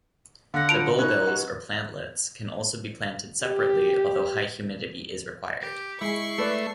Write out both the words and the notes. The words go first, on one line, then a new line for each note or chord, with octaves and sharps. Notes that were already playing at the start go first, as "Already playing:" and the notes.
The bulbils or plantlets can also be planted separately although high humidity is required.
D3 F5 F#5 A#6
F4 C#5 A5 D7 F7
C#4 D#4 A#4 B5 F#6
G4 B4 F#5
G4
G4
G#3 E4 G#5 C#6 C7
A3 A4 B4 D5